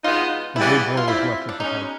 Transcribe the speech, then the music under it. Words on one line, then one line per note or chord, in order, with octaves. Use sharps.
The blue boar was left at the pub.
B2 G#3 B3 D#4 F4
E2 C#3 E3 G3 B3 E4
F4
E3 G3 C4 E4 F4
D4
B2 G#3 C#4 D#4